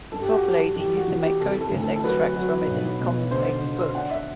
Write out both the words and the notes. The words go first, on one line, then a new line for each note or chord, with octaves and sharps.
Toplady used to make copious extracts from it in his common-place book.
G2 A4
G4
F#4
F#3 G4
E3 G4
F#4
E3
G4
C3 A4
A4
D2
A4
A4
F#3 B4
F#3
B1
B2
D3 C5
D3
D4 F#5
E5